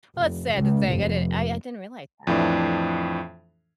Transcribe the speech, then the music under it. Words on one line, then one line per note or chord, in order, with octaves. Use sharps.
it's sad to think, I didn't I I didn't realize that,
F1
C#2
F1
F2 A2 E3 D4